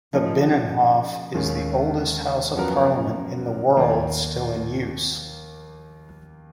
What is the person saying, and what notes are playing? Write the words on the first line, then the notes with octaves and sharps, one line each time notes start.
The Binnenhof is the oldest House of Parliament in the world still in use.
C#3 F3 A#3 D#4
D#2 D#3 G#3 C#4
F#2 F3 B3 F#4 A#4
D#2 D#3 A#3